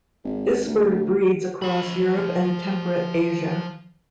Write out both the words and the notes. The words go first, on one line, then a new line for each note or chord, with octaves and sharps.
This bird breeds across Europe and temperate Asia.
G#1
D2
F3 B5